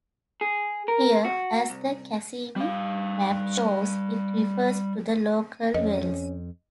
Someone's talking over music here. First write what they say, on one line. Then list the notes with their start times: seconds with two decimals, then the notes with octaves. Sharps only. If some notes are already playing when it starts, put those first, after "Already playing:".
Here, as the Cassini map shows, it refers to the local wells.
0.41 G#4
0.88 A#4
1.25 F#4
1.70 C2
2.56 G3 F5
5.74 F2 C#4 D#5